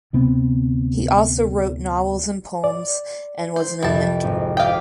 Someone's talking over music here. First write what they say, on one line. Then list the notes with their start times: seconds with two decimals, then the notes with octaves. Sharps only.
He also wrote novels and poems and was an inventor.
0.13 D2 C3 B3 C4
2.64 D5
3.56 C5
3.83 C2 F2 E3 G4 A5
4.24 G#1
4.57 F5 G5 D6 D#6 B6